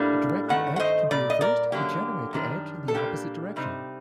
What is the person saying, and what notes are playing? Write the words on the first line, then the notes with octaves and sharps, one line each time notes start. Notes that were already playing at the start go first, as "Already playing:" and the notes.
A directed edge can be reversed to generate the edge in the opposite direction.
Already playing: A2 G3 A#3 D4
G2 D#3 A3 C4 F#5
F#5
C5 D#5
A#2 G3 D5
D#5
A#4 D5
F#2 D3 F#3 A#3 G4
F#2 D#3 G3 D4
A4
A#2 G3 A#3 D4 G4
C3 G3 C4 D#4